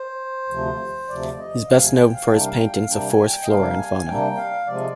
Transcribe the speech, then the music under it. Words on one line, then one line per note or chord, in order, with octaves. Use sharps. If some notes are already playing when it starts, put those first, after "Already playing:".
He is best known for his paintings of forest flora and fauna.
Already playing: C5
D2 C3 F3
D2 C3 F3 D5
D#5
D2 C3 F3 F5
G#5
G5
F5
C3 G3 A#3 D4 G5
F5
G5
F5
C3 G3 A#3 D4 G5
G#5
G5
D#5
C3 G3 A#3 D4 F5
G#5
C3 G3 A#3 D4 G5
F5
C3 F3 G#3 D5